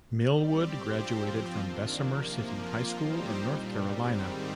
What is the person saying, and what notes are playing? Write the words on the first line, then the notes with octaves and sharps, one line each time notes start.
Millwood graduated from Bessemer City High School in North Carolina.
G3 C4 G4 D5
G2 F3 C4 G4 C5
F3 C4 F4
D#3 A#3 D4
C3 F3 A#3
F3 A#3 F4
G3 C4 D#4 G4 C5
A#2 G3 D4
G#2 D#3 G3 C4